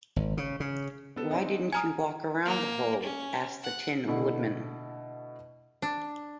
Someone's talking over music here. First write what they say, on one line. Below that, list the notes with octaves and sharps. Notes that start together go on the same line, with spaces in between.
Why didn't you walk around the hole? asked the Tin Woodman.
G#1
C#3
C#3
B3 A4
C4 D4 D#4
G#5 A#5 D#6 F6 G#6
A#3
C#4
F#5
B2 D3 A3 E4
D4